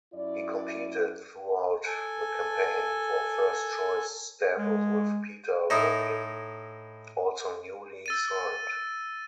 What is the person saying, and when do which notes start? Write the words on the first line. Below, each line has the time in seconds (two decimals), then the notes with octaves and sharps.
He competed throughout the campaign for first-choice status with Peter Luccin, also newly signed.
0.14 F#2 E4 D5
1.86 A4 G#5
4.58 G#3
5.70 A2 D#4 E4 A#5
8.06 E6 A6 D#7